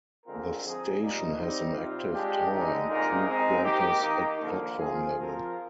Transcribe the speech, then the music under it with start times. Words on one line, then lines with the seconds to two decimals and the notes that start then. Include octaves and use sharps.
The station has an active tower and crew quarters at platform level.
0.25 D3 G#3 C4 F4 A#4
0.62 F3 C4 D#4 G#4
1.00 A#2 G3 A#3 D#4
1.39 G3 C4 D#4
1.76 C3 G3 C4 F4
2.13 G#3 D4 G4
2.52 D3 G#3 D#4
2.89 A#2 G#3 C4 D#4 A#4
3.27 G#3 C4 D#4
3.64 D#3 A#3 D#4 G4
4.03 D#3 A#3 D#4
4.40 D3 F3 A#3
4.78 F3 C4 F4 G#4
5.16 F3 C4 F4 A#4